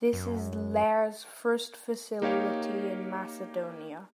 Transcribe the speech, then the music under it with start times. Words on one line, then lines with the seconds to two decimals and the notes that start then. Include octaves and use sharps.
This is Lear's first facility in Macedonia.
0.13 F#2
2.22 A#3 D#4 G4 C#5 F5